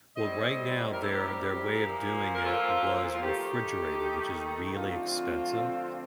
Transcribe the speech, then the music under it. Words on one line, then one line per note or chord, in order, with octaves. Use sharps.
well, right now, their their way of doing it was refrigerated, which is really expensive,
A2 G3 C4 C5 D#5
A#4
A4
G4 A#4
A#2 F3 A#3
A#4
F4 A4
F4
D#3 A3 D#4 G4
G4
F2 D3 A3 C4 F4